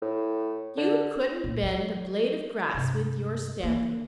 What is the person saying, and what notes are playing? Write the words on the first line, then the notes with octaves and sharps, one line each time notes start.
'You couldn't bend a blade of grass with your stamping.
A2
D3
A#2
F#3
G2 C3
D#3 A#3